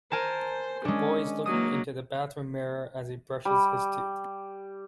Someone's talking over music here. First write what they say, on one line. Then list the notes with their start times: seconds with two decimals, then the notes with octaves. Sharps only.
The boy is looking into the bathroom mirror as he brushes his teeth.
0.12 A#4 C5 G#5 A5
0.85 G#3 C#4 D4
1.46 F#3 A#3 D#6
3.45 G3